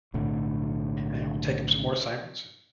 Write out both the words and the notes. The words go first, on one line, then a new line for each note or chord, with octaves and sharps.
and I'll take up some more assignments
B1 A2 D3